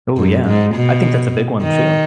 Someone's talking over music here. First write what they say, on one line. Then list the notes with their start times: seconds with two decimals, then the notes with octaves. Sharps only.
Ooh yeah. I think that's a big one too,
0.17 F#2
0.46 G#2
0.75 B2
1.62 D#3